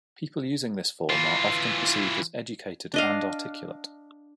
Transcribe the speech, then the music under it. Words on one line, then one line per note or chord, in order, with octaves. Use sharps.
People using this form are often perceived as educated and articulate.
E3 F4
D4 D#5 F5